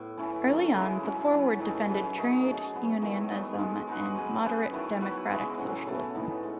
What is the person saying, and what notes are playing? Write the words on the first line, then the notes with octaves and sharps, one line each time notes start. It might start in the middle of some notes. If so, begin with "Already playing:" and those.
Early on, "The Forward" defended trade unionism and moderate, democratic socialism.
Already playing: A2 B3
E3 A3 C#4 E4
D#3 F#3 A3
C#3 G#3 C#4 E4
F#3 C#4 F#4
F#3 A3 C#4 E4
A2 E3 A3 D#4
F#3 C#4 G#4 B4
D#3 A3 D#4
F#3 A3 C#4 G#4
F#3 B3 D#4
D#3 F#3 A3 E4
F#3 B3 D#4
G#3 D#4 A4
G#3 D#4 F#4 B4
F#3 C#4 G#4 B4
F#3 C#4 G#4 B4
D#3 A3 E4
F#3 B3 F#4 B4
C#3 G#3 B3 E4
A2 F#3 C#4 G#4
B2 A3 C#4 E4
A2 E3 B3 D#4
G#3 C#4